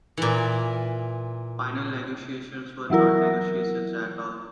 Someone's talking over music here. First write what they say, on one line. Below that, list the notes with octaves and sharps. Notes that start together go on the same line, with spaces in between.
Final negotiations were not negotiations at all.
A#2 E3
E3 F#3 E4 A#4